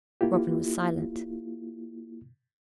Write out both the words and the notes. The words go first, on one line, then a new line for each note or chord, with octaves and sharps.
Robin was silent.
A#3 E4 F4 G4